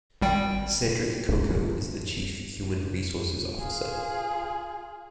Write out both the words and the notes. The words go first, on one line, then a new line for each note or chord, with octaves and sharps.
Cedric Coco is the Chief Human Resources Officer.
G#1 G3 G5
F4 G#4